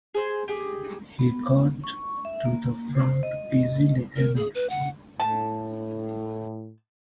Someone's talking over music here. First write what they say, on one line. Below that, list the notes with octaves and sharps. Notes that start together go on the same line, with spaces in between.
He got to the front easily enough.
G#4 C5
G4 G#4 D#5
B3
C#6
E5
A#3
C5
D#5
A#4
G#4
B4
F#5
A2 A5